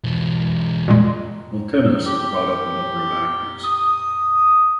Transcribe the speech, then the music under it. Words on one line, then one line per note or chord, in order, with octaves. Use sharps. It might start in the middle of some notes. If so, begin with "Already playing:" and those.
Miltinis has brought up a number of actors.
B1 E2
A#2 G3 G#3
G4
D#6